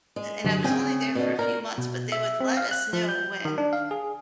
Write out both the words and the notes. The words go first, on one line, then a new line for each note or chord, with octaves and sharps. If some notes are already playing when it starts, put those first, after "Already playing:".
and I was only there for a few months, but they would let us know when
G#3
G2 D3 F#3
C#3 C4 G#4 G5
B2 D3
A#4
B2
E5
C4
F5
F#6
F3
G6
D#3
D4
F5
G#4